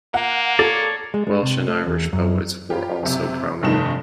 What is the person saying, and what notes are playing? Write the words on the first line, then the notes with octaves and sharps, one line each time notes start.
Welsh and Irish poets were also prominent.
A#3 F#5
A4 C#5 D5
G#3
G#3
C3
A3
E2
F#2
F4 G4
F#1 C3
F1 G2 D#3 A3 D#4 E7